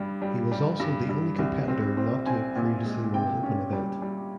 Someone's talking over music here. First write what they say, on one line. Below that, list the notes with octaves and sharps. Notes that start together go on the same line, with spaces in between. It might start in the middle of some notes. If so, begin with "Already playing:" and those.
He was also the only competitor not to have previously won an open event.
Already playing: G2 G3
G3
G3
G2
G2
C2
C4
C4
C4 G#5
A#2
G#3
C3 G5
C#4
G3
G3